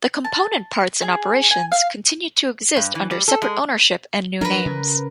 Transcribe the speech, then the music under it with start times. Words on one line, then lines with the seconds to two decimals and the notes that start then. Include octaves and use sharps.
The component parts and operations continued to exist under separate ownership and new names.
0.24 A5
1.02 G#4
1.51 G#5
1.72 F5
2.76 G2
2.95 E3
3.11 G3
3.28 A4
3.42 G#3
4.41 F3 D4 A#4 B4
4.66 C#3